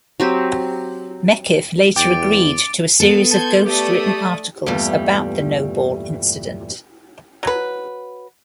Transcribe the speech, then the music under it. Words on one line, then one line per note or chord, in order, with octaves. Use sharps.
Meckiff later agreed to a series of ghost-written articles about the no-ball incident.
F#3 C4 G4
E2 G5 D6 A6 D7
B3 A4
A5 C6 G6 G#6
A3 G4 D5 D#6
E2 G2 A#2 G3 A3
F#3 B4